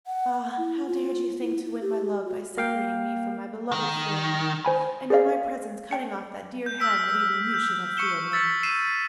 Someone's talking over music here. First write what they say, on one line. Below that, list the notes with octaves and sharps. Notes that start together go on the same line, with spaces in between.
'Ah! how dared you think to win my love by separating me from my beloved Florimond, and in my presence cutting off that dear hand that even you should have feared and honoured?'
F#5
F#5
E4
F4
E4
E4
G4
F#4
A#3 F5 G5
D#3
C5 G#5 B5
G#4 A#4 C5 D5 D#5 F5
G5 C#7
G6
E6 F6 B6 D7
G6
C#6 C#7 E7 G7
E6 A6 B6 C#7
C7 D#7 E7